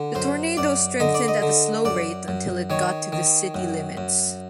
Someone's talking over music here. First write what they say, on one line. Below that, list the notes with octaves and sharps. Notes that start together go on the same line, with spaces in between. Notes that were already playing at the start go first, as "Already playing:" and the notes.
The tornado strengthened at a slow rate until it got to the city limits.
Already playing: D3
F#2 C5
F#2 D5
D3 D#5
D5
D#5
D3
F#2 D5
F#2
D#3 C#5
D#3
F#2
F#2